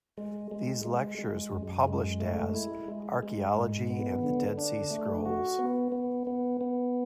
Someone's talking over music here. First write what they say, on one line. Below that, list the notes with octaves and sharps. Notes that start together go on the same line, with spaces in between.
These lectures were published as "Archaeology and the Dead Sea Scrolls".
G#3
G#3
G#3
G#3
F#2
G#3
A3
E4
G#3
G#3
G#2
B3
D3
D4
A3
F#4
B3
B3
B3
B3